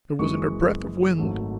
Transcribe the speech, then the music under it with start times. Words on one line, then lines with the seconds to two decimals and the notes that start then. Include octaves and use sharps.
There wasn't a breath of wind.
0.19 F#1 F#2 E3 G#3 C#6
1.18 G#1 G#2 F#3 A3